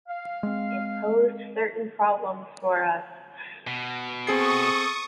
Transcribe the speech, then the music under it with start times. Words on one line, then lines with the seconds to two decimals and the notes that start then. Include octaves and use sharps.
It posed certain problems for us.
0.07 F5
0.43 G#3 C4
3.67 B2
4.27 C4 G#4 A4 C#6 D#6 C7